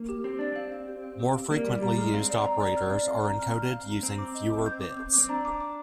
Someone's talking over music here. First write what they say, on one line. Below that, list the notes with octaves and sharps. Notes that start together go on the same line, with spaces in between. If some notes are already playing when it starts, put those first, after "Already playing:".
More frequently used operators are encoded using fewer bits.
Already playing: A#3
G4
C4 G4
D4 D5
C4 F5
F5
G4
F5
G4
F5
A#3 D5
G3 D5
G3 A#5
G#3 F6
C4 F5
D5
A#5
D5
F6
D5
F5
A#5
F6
F6
F5
A#5
C4 A#5
D6
D#5
D6
G6
D6
G6
C4 D6
D4 A#5
D6
D6